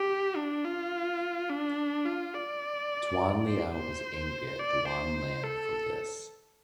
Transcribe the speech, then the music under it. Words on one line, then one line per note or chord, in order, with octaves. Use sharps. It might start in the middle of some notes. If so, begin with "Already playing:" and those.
Duan Liao was angry at Duan Lan for this.
Already playing: G4
D4
F4
D4
F4
D5
C5
C5
D5
C5
A4